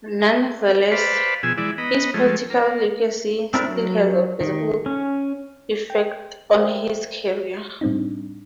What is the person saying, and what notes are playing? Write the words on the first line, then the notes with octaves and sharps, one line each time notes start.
Nonetheless, his political legacy still has a visible effect on his career.
B4 C5 D5 F5 A5 B5
B2 F3 G#4 G#5 E6
E3 G#3 E4 D5
B3 D#5 A#5 B5
F3 G#3 A3
A#3
C4 D4 E4 A#4
F#3
D#3
C#4
G5
A#4 C5 D5 E5 F5 G5
A2 G3 C4 D4 D#4